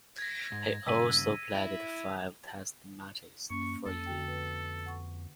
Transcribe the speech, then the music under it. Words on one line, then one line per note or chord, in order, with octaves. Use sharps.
He also played five Test matches for England.
G#6 A#6
G#2
G2 C#3 E6 B6 D#7
E4
F#2 A#3 C#4 C#6
F2 A4
D3 F#4 G5
B4
F#5 C#6